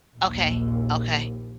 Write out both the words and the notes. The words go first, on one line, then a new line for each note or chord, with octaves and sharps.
Okay. Okay.
A#1 D#2